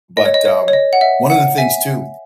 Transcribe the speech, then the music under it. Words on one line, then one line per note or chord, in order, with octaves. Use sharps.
But um one of the things too
D#5
C#5
D#5
C#5
C#5
D#5
F#5
E5
F#5
E5 G#5